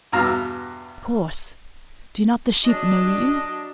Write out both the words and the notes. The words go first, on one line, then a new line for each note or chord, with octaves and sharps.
"Of course; do not the sheep know you?"
E2 G2 B2 F5 A#5 E6
F#3 D4 D#5